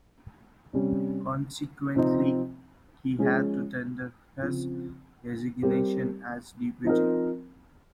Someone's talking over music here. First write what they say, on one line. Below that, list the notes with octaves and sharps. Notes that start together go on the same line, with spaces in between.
Consequently, he had to tender his resignation as deputy.
C3 G3 C#4
C3 F3 C4 D#4
F3 G#3 C#4 G#4
C#3 F3 C4
G3 C4 G4 A#4
F3 C4 D#4 A#4